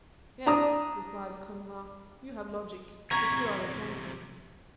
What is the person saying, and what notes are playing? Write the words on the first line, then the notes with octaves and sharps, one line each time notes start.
"Yes," replied Conrart, "you have logic, but you are a Jansenist."
D4 A#5 D#6
E2 C3 A#5 C#6 G#6